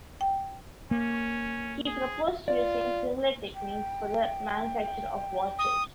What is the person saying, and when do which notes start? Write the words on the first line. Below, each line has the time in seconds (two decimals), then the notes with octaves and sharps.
He proposed using similar techniques for the manufacture of watches.
0.21 G5
0.91 A#3 C#4
1.86 G#4
2.48 F4 D5
3.55 G5
5.59 D#6